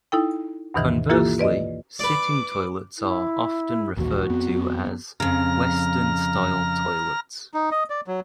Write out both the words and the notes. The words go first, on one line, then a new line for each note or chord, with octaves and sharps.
Conversely, sitting toilets are often referred to as "western-style toilets".
D#4 E4 A4 G5
D2 G2 B2 D#3 E3
E3 A#3 E4 F4 G4 A4
B4 D5 D#5
B4 D5 D6
E4
A1 D#2 A#2 F#4
F2 B3 C4
F2 C#3 A#5 F6
D#4
D#5
D5
F#3